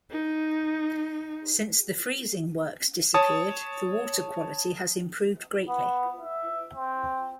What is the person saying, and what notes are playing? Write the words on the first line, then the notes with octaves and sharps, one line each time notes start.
Since the freezing works disappeared the water quality has improved greatly.
D#4
C#5 A5 D#6
B3
E5
C4